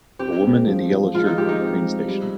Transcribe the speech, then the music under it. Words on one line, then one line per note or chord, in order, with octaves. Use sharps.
A woman in a yellow shirt at a train station.
C4 G4
G#3
F3
F3
G#3 F4
D#4
G#3 G4
D#4
C4
G#3
G3